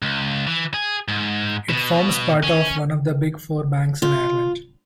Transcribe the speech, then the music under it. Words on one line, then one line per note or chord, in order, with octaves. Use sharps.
It forms part of one of the Big Four banks in Ireland.
C#2
E3
G#4
G#2
B2
C#4
F4